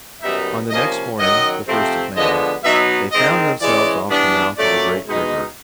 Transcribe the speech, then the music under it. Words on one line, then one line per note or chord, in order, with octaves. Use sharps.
On the next morning, the first of May, they found themselves off the mouth of a great river.
F#2 D#3 G3 B3 D#4 E5
C3 F3 A#3 C#4 D#5
F#2 D#3 F#3 D#5
C3 F3 A3 C4
D3 F3 G#3 B3 D#5
B2 F#3 B3 D#4 E5
D#3 G#3 C4 D#5
E3 G#3 C#4 D5
E3 G3 B3 D4
A#2 F#3 A3 C#4 D5
B2 G#3 B3 D#4